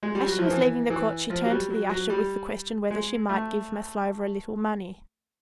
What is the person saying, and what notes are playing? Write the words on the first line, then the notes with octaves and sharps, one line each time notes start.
As she was leaving the court she turned to the usher with the question whether she might give Maslova a little money.
G#3
G3
F#3
F3
E3
E3
F3
F#3
G3
F#3
F#3
G3
G#3
A3